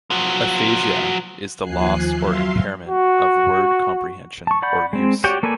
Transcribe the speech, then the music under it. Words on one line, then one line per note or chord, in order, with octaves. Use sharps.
Aphasia is the loss or impairment of word comprehension or use.
F3 F#3
D#2 F3 G#5 F#6 C7
F#3 E5 F5 C6
F#4
A5 C#6
D5 F#5 B5 G6
G#3 C4
F#4 G4 C#5 D5 G5
A#3 A4 B4 D5 G#5